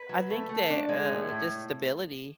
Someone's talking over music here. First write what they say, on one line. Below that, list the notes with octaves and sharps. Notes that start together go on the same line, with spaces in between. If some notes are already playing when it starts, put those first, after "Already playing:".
I think that, uh, just stability,
Already playing: B4
F#3
A3
A3
D4
G#3
A2
A2